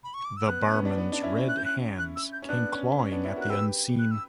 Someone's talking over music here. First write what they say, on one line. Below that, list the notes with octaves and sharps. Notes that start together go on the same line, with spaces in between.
The barman's red hands came clawing at the unseen.
B5
C#6
D6
E6
B3 F#6
B3
C#4
B3
B3 D4
B3 D4
D4
C#4 E4
F#6
G6
F#6
F#6
E6
G6
C#4
B3 D4 F#6
C#4
C#4
B3 D4
C#4 E4
F#4 A#4
F#6
G4 B4 E6
F#6
E6